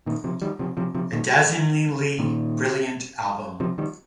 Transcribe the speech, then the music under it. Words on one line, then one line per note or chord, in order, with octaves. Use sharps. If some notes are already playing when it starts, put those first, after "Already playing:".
A dazzlingly brilliant album.
A#2 D#3
C3 F3
D#3 G3
C3 F3
C3 F3
C3 F3
A#2 D#3
A#2 D#3
C3 F3
D#3 G3